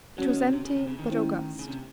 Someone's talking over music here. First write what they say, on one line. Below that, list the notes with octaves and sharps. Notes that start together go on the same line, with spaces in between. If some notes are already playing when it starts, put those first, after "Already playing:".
It was empty but august.
F#3 C#4 F#4 C#5
D#3
C3
C3
C#3
C3
C#3
D#3
A3 C#4 E4 C5
C#3
C3